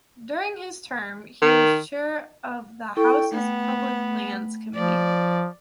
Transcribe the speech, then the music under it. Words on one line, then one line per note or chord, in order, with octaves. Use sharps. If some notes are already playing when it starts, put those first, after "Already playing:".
During his term, he was chair of the House's Public Lands Committee.
D#3
E4 A4 G5 C#6
A3 B3
F3 D5